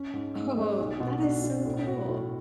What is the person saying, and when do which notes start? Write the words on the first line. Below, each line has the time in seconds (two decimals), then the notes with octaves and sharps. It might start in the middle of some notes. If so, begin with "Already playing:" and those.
Oh, that is so cool.
Already playing: C#4
0.13 G#2
0.35 G#2
0.57 G#3
0.79 B1
1.00 B2
1.22 D4
1.44 B2
1.65 A2
1.87 F#4
2.08 A2